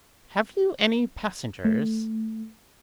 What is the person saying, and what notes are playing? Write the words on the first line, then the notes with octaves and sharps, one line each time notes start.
"Have you any passengers?"
A3